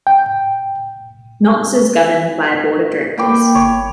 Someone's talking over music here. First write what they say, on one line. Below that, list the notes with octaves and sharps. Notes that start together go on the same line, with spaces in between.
Knox is governed by a Board of Directors.
G5
A#3 G5 B5 D6
G1 C#5